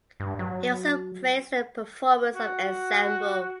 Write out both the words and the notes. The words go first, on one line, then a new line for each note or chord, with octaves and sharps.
He also praised the performance of ensemble.
G2
F#3
F#4